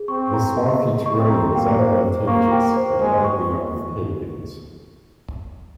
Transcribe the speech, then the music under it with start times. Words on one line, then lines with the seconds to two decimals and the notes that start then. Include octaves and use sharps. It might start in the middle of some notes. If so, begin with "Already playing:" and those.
The swampy terrain was advantageous for lightly armed pagans.
Already playing: G#4
0.08 C4 C#6
0.34 A#5
0.57 D#5
0.82 G#4
1.06 C#6
1.17 C4
1.30 A#5
1.55 A#3 G5
1.79 C5
2.03 C5
2.27 A#3 C#6
2.52 G5
2.76 C5
3.00 G#3 C5
3.24 C#6